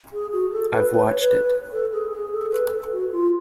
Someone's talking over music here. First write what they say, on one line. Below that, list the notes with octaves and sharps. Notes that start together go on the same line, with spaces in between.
I've watched it.
G#4
F#4
A4
B4
B4
C#5
B4
A4
G#4
G#4
A4
B4
A4
F#4
F4